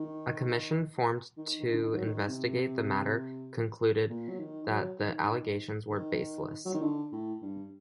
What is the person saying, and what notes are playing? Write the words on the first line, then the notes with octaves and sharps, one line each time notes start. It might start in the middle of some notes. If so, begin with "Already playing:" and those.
A commission formed to investigate the matter concluded that the allegations were baseless.
Already playing: D#3
D#3
D#3
D3
D#3
F#3
D#3
C3
A#2
F#3
D#3
F#3
D#3
D#3
F#3
D#3
D3
A2
G2